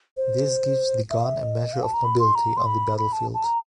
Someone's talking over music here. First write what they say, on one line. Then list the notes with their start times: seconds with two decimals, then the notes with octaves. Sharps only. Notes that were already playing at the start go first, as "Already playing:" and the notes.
This gives the gun a measure of mobility on the battlefield.
0.17 C5
1.10 E5
1.18 F5
1.25 E5
1.42 D#5
1.73 F5
1.83 A5
1.94 A#5
2.04 B5
2.19 C6
2.35 A#5
2.57 C6
2.66 B5
2.98 B5
3.13 A5
3.34 A5
3.44 A#5